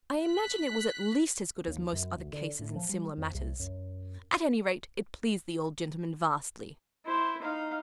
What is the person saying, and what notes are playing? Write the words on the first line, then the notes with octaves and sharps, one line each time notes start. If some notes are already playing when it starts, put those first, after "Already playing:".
I imagine it was at least as good as most other cases in similar matters: at any rate, it pleased the old gentleman vastly.
F#6 B6
D#2
F#2
D2
D3
A2
F3
G3
F2
C2
F#2
E4 C5
D#4 F5